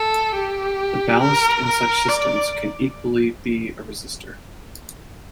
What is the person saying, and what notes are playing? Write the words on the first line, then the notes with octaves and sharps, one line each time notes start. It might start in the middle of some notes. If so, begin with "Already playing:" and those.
The ballast in such systems can equally be a resistor.
Already playing: A4
G4
A#4
A#4
D5